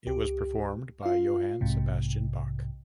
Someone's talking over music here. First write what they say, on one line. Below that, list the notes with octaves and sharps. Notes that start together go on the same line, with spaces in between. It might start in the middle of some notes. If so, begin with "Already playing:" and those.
It was performed by Johann Sebastian Bach.
C#2 G4
F4 F5
B1 G#2 C3